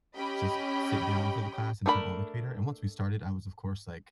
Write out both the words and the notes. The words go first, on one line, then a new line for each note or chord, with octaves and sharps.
just sit down for the class and turn on the computer, and once we started, I was, of course, like,
C#4 G4 D#5 G5 B5
A3 D4 A#4 C#5 B5